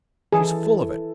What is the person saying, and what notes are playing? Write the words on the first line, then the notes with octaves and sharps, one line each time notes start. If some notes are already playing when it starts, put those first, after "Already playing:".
She's full of it.
E3 G#4 A4